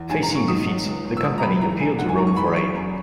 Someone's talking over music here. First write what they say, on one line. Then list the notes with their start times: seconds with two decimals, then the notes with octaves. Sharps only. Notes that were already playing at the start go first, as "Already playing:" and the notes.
Facing defeat, the Campani appealed to Rome for aid.
Already playing: E2
0.10 G#2 G#5
0.22 A#5
0.29 G#2
0.35 C#6
0.47 D#3 D#6
0.67 F#3
0.86 C#2
1.04 C#2
1.17 E6
1.23 C#2 D#6
1.38 A#5
1.42 C#2 B5
1.61 E3 A#5
1.80 C#2 G#5
1.98 G#2 F#5
2.09 G#5
2.18 G#2 A#5
2.27 C#6
2.36 E3 B5
2.56 F#2 C#6
2.75 F#2